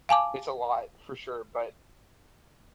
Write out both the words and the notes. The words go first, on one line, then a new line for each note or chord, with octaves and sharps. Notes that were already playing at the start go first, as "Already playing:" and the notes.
it's a lot, for sure, but
F5 G#5 A5 D6